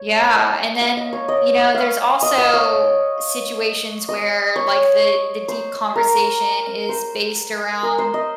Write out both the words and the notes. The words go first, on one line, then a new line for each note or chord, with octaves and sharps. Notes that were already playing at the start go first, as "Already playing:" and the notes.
Yeah, and then, you know, there's also situations where, like, the the deep conversation is based around,
Already playing: C#5
D#5
F5
D#5
C#5
D#5
F5
D#5
D#5
C#5
D#5
C#5
C5
A#4
C5
A#4
C5
D#5